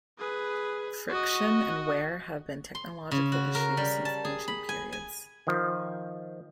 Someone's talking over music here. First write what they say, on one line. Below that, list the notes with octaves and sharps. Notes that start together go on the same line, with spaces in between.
Friction and wear have been technological issues since ancient periods.
G#4 B4
F#4 D#5
C6
C#3
F#4
A#4
G3
A5
G#4
B5
G#5
G#5
D#3 F3